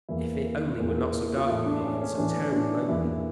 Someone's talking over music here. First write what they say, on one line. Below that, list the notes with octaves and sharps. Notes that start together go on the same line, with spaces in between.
If it only were not so dark here, and so terribly lonely!
E2 E3 A#3 E4
E2 E3 A#3
F4
A2 E3 A3 E4
D4
C#4
C#4
A2 E3 A3 D4
D4
D4
E2 E3 A#3 E4